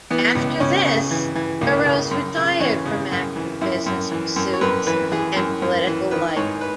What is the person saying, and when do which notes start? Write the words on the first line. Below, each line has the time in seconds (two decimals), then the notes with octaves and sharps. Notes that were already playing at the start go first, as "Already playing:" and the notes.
After this, Burrows retired from active business pursuits and political life.
0.10 E3 B3
0.35 C#2
0.60 C#2 C#4
0.85 C#3
1.11 E3
1.36 E3
1.61 C#2 A#3
1.85 C#3
2.11 F#2
2.36 C#3
2.60 E3 C#4
2.85 C#3
3.11 F#2
3.36 E3
3.61 F#2 E4
3.86 F#2
4.11 E3
4.36 F#2
4.53 C#5
4.61 F#2 B4
4.87 E3 B4
5.12 E3 G#4
5.36 F#2
5.62 F#2
5.87 E3
6.11 D#3 B4
6.36 G#2 C#5
6.61 B4